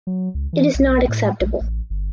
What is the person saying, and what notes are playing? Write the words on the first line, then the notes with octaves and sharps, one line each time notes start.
It is not acceptable.
F#3
C#2
E3
B1
A2
A#1
A1
G1